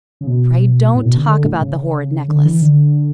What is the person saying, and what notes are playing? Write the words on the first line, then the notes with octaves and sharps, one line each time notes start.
"Pray don't talk about the horrid necklace."
C#3
B2
A2
B2
D3
D3
A2
C#3
D3
E3
D3